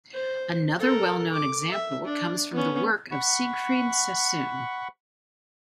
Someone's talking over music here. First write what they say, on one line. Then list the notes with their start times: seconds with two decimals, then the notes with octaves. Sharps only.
Another well-known example comes from the work of Siegfried Sassoon.
0.14 C5
0.79 A4 A#4
1.33 D6
1.72 E5
2.04 D4
2.52 B3 C#4
3.11 F#5 B5 C#6